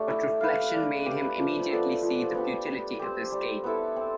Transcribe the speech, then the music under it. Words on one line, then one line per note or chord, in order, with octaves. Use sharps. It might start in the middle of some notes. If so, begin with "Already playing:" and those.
But reflection made him immediately see the futility of escape.
Already playing: A3 D4 G4
E4
B4 F5
D4
G4 B4
F3
B3 D4 A4
F3
B3 D4 G4
G3
C4 G4
G3
B3 E4 A4
C4